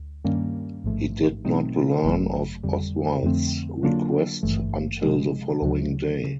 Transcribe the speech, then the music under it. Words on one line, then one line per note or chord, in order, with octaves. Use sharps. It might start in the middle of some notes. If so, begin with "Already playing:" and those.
He did not learn of Oswald's request until the following day.
Already playing: D2
G2 D#3 G3 A#3 C#4
A1 G#2 F3 A3
B2 F#3 A3 C4 D#4
G#1 F#2 C#3 F#3 A3
F2 D3 G3
F2 D3 F3 A3 C4
D3 F#3 A#3 D4 F4
G#1 G2 E3 A3
C3 F3 G#3
D2 C#3 F#3
C#3